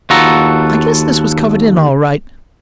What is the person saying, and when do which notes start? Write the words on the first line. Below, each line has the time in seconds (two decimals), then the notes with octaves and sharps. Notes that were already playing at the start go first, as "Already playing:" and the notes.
I guess this was covered in all right.
0.10 D#2 F4 F#4 A4 A#5